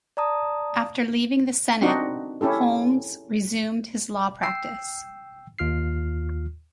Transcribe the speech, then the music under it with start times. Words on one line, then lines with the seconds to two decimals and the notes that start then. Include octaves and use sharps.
After leaving the Senate, Holmes resumed his law practice.
0.17 D5 A5 A#5 D#6
1.82 C4 D4 D#4 F#4
2.41 C#4 E4 G4 A4
4.43 G5 E6 C7
5.59 D#2 F4 F6 C7